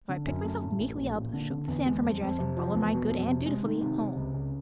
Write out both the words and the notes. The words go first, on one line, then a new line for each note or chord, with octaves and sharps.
So I picked myself meekly up, shook the sand from my dress, and followed my good aunt dutifully home.
D3
F#2
A3
A2
A1
A#1
A#2
D3
D3
E2
G#3
F2
F2
C3
F3
E2
B2
F2
C3
G#3
D#3
C3
C3
C#2
C#3